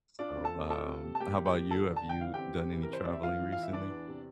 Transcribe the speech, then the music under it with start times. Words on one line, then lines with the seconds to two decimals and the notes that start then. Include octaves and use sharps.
So, um, how 'bout you? Have you done any traveling recently?
0.19 D4 F4 D5
0.36 C4
0.44 A4 A5
0.54 C4
0.70 F4 A4 A5
0.87 C3
1.04 C3
1.15 A5
1.20 A#3 G4 G5
1.38 A#3
1.45 G4 G5
1.54 F3
1.71 D3 A4 A5
1.88 D3
1.96 A5
2.05 D3 G5
2.21 E3 F5
2.34 C4 G4 G5
2.55 C3
2.72 E3
2.83 A#4
2.90 C3 C5
3.03 C4 D5
3.13 E5
3.23 E2 F4 F5
3.39 E3
3.52 E3 F5
3.63 E5
3.73 E3 D4 D5
3.90 E2
4.08 C3